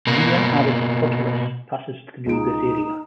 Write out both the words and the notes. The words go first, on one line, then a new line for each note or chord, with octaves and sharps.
Via Aristotelis passes through this area.
B2 A#3
C#2 G#3 D#4 D7